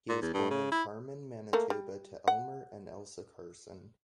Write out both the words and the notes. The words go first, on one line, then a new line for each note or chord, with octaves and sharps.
He was born in Carman, Manitoba to Elmer and Elsa Carson.
A#2
E2
G2
C#3
E4
A3 A#3
G3
F#5